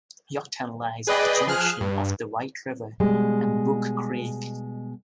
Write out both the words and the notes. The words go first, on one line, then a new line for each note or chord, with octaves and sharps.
Yorktown lies at the junction of the White River and Buck Creek.
G#4 B4 D5 D#5 G5
F3 G#4 F6 F#6
G2
B2 G3 G#3